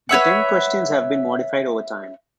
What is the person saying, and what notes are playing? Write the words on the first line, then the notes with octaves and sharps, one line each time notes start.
The ten questions have been modified over time.
B4 C#5 E5 F#5